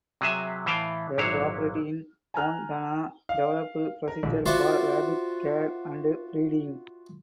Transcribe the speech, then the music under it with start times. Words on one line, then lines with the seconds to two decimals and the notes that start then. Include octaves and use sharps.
The property in Fontana developed procedures for rabbit care and breeding.
0.21 C3 F#3 G#4 E5
0.66 A2 E3 E5 F5 G5 A5
1.18 G#1 A#2 F#3 E4 C#5 F5
2.34 G#5 A#5 F6 F#6
3.29 F5
4.08 A#4
4.23 A#1
4.46 F4 F#4 C5 D5 E5